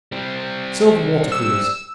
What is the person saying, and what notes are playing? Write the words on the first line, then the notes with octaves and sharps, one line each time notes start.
Silver water-coolers.
G3 C4
E6